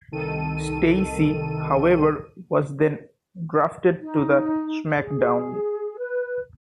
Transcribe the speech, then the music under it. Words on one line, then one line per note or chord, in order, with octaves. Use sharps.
Stacy, however, was then drafted to the SmackDown!
C2 D#3 A4 D#7
D#4
G#4
B4